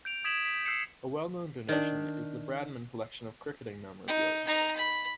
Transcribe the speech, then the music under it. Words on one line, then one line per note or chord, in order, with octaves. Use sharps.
A well known donation is the Bradman Collection of cricketing memorabilia.
G6 D7 F7
D#6 G#6 B6 D7 E7 F#7
B6
E6 G6 C7 C#7 E7
D#3 D4
D#4
D#4 A#5
B5